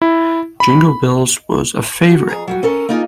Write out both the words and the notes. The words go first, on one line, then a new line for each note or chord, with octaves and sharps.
Jingle bells was a favourite.
E4
B5
F#4
F2 G#4 A#5
F#3 G3 F#4
C#4 A4 A#4
A#3 D4 D#4 F4 G#4